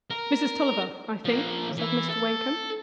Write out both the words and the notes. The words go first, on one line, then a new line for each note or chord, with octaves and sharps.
"Mrs. Tulliver, I think?" said Mr. Wakem.
A#4
F3 A#3
E3 E4
A4